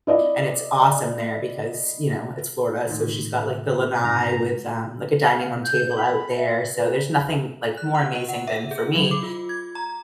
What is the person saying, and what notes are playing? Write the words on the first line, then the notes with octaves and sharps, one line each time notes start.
And it's awesome there because, you know, it's Florida, so, she's got, like, the lanai with, um, like, a dining room table out there. So, there's nothing, like, more amazing than for me
E4 D5 D#5
A2 D#3
G#2 C3 A#5
F5
G6
B5
E5
B4
F#6
F#5
D#5
F#5
E5
G#4
F#3
D6
F4
G#6
A#5